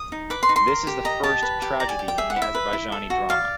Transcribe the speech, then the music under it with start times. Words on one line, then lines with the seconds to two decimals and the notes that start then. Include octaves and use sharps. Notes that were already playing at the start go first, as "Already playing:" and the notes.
This is the first tragedy in the Azerbaijani drama.
Already playing: D#6
0.12 D#4
0.30 B4 D6
0.43 C6
0.49 D#4
0.56 C6
0.68 A#4
0.87 G4
1.05 D#5 A#5
1.24 G4 A5
1.43 B4
1.62 G4
1.80 D5 A#5
1.89 G#5
1.99 G4
2.08 G5
2.18 G#4 E5
2.30 F#5
2.36 E4
2.42 E5
2.55 B4
2.73 E4
2.92 A4
3.10 F#4
3.29 D5 F5